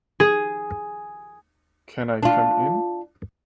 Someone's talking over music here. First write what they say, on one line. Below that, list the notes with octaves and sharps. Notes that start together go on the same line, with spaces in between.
Can I come in?
G#4
D4 F4